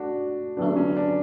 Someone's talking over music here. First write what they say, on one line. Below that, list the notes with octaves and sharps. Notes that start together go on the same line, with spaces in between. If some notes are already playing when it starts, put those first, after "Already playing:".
Oh, yeah.
Already playing: A3 D4 F#4
D3 F#3 B3 D4
C#4
D4